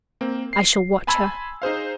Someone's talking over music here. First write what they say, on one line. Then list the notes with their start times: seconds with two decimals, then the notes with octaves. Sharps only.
I shall watch her.
0.21 A#3 C4
0.53 C7
1.07 G#5 A5 B5 C6 E6 G#6
1.62 D#4 G#4 C5 F5